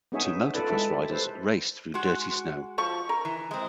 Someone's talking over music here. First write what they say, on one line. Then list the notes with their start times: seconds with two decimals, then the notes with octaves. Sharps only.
Two motorcross riders race through dirty snow.
0.12 B3 C#4 D#4 G#4 C#5 E5
0.54 F4 A4 B4 D5
0.70 G#3 E4 A4 E5
0.90 G4
1.11 A4 B4 C5
1.94 G#3 F#4
2.78 F3 C#6
3.09 A#4
3.25 E3
3.51 G#3 C4